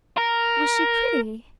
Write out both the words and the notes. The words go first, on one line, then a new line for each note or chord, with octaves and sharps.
"Was she pretty?"
A#4